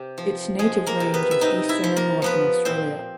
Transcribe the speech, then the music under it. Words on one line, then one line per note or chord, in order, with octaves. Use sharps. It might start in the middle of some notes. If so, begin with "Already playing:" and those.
Its native range is Eastern and Northern Australia.
Already playing: C3 G4
F3
F3 G#3 G#4
A#3 A#4
C3
B3 B4
E5
C3 D#4 D#5
E4 E5
F3
A#3 A#4
F3 B3 B4
A#2 C4 C5